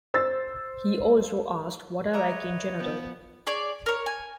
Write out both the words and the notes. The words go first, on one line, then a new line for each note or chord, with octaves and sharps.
He also asked what I like in general.
C5 E6 A6
B4 C#5 D#5 E5 A#5 D6
F3 B3 G5
G#4 C#5 D5
A#4 C#5
G#5